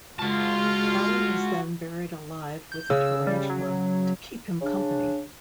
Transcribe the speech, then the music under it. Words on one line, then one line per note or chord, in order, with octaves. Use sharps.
Alan is then buried alive with a tarantula to "keep him company".
G#3 F4 F#4 A5
G6
C#3 E6
G3
F#3
C#3 D4